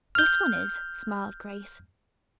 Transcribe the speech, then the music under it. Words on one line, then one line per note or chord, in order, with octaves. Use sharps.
"This one is," smiled Grace.
F6 G6